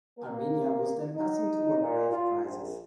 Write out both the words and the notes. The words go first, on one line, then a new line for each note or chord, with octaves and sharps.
Armenia was then passing through a grave crisis.
A#3
D#4
A#2
F4
A#1